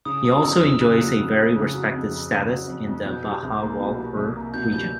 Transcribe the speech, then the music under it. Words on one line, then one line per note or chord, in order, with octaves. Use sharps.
He also enjoys a very respected status in the Bahawalpur region.
C#3 D#6
F#3 D#6
F2 E6
F2 F6
C#3 F#6
F#3
F2
F2
C#3
F#3
F2
F2
C#3
F#3
F2
F2
F#6
B2 G6
G3
C2
A#3
B2
G3
C2
A#3
B2 G6
G3 G6